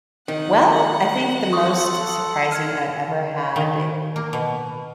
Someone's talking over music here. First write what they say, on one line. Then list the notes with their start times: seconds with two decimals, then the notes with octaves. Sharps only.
Well, I think the most surprising I've ever had
0.28 D#3 F#5
1.52 A4 C6 C#6 D#6
2.52 F6 G#6
3.56 D#3
4.16 A#3
4.33 B2